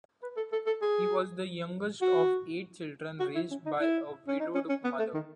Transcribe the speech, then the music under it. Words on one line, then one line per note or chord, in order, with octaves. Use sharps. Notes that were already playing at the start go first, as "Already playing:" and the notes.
He was the youngest of eight children raised by a widowed mother.
B4
A4
A4
A4
G#4
F#4
F#4
E4
C#4
D#4
E4
C#4
D#4
C#4
C#4
B3
A3
D#3